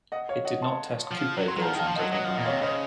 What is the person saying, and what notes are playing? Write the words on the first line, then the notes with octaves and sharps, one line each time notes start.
It did not test coupe versions of the Ion.
D#5 F#5
C#5 F5
D#5 F#5
A5 C6
F3
F#3
C6
F#3
F3 F#5 A#5
D#3 F5 A5
F3
D#5 F#5
F#3
F#3 D#5 F#5
F3 D#5 F#5
A#2 D#5
C#5 F5
C3
C#3 C5 D#5